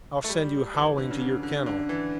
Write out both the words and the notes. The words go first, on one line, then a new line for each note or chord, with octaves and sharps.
I'll send you howling to your kennel!
A3
G3
E3
D3
C#3
D3
D3
D3
E3